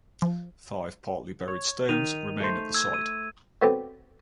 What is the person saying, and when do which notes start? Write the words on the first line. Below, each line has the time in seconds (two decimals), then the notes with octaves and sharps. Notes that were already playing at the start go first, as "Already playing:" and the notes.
Five partly buried stones remain at the site.
0.22 F3
1.48 C#5
1.89 D#3 D#7 F7
2.40 A3 C5
2.74 E6 G#6
2.94 D#7
3.62 F#3 A3 B3 C4 G4